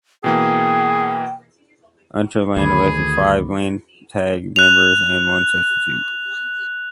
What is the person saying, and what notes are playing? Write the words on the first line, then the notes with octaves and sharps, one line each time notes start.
Unterland elected five Landtag members and one substitute.
B2 E3 A#3 G#4 G5
D2 D#3 G#4 D5 B5 C#6
F#6 F7